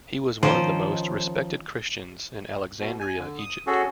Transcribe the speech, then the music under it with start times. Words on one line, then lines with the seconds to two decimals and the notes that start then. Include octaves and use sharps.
He was one of the most respected Christians in Alexandria, Egypt.
0.43 D#3 F3 C#4 C5 D5 D#5
2.80 B2
3.00 G#5
3.18 D3
3.39 D#6
3.67 C#4 F#4 G#4 A4